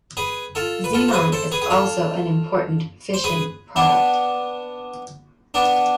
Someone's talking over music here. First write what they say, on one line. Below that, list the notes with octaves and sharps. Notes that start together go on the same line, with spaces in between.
Xe is also an important fission product.
G#4 B4
F4 A4
B4
F4 A4
C5
G#4 B4
A4 C5
G#4 B4
G#4
F4 A4
C5
G#4 B4
B3 D4
B3 D4